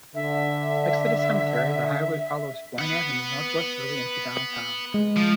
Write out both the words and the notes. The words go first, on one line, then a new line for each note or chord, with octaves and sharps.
Next to the cemetery, the highway follows Boyne Avenue northwesterly into downtown.
D3 E5
B4 F#5
G#3
F3